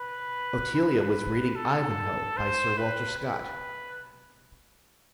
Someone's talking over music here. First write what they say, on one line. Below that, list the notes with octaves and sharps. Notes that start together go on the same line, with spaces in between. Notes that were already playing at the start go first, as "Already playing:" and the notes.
Otelia was reading "Ivanhoe" by Sir Walter Scott.
Already playing: B4
B4
A4
C5
B4
B4